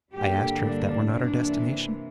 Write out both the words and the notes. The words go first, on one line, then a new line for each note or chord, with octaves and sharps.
I asked her if that were not our destination?
G2 D3 G3 A#3 G4
D4
C3 E3 A#3 D4